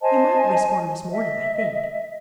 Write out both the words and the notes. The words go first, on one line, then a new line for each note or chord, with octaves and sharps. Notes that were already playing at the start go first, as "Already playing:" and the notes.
You might risk one this morning, I think.
C5 D#5 G#5 A5
D#5 E5